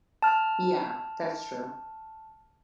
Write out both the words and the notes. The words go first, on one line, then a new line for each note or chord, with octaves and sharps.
Yeah, that's true.
A5 F6